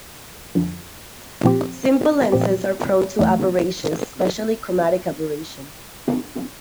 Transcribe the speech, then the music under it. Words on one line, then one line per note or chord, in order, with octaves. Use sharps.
Simple lenses are prone to aberrations, especially chromatic aberration.
F2 D3 F3
A#2 F3 C4 G4
A#2 F3 C4 G4
E2 E3 A3